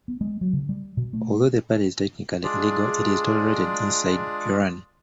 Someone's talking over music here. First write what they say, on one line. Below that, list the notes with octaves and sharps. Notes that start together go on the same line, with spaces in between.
Although the party is technically illegal, it is tolerated inside Iran.
B3
G#3
F#3
C#3
G3
B2
A3
G#3 D4 F4 G#4 D5